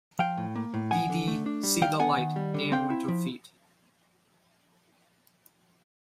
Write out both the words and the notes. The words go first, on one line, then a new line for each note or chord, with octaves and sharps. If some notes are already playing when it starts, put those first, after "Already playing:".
Dee Dee "See The Light," Dan Winter feat.
F3 F5 G5
A2
A#3
A2
F3 F#5 G#5
D3
A3
D4
G3
D#3 F5 G5
B3 F#5 G#5
D#3
G3
D3
C4 F5 G5
E4
F3